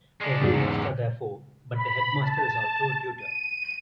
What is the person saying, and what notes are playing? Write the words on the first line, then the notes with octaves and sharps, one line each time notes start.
Every master therefore but the headmaster is also a tutor.
G#3 D4
E2 G#2
F#2 C3
B5
A5
D#7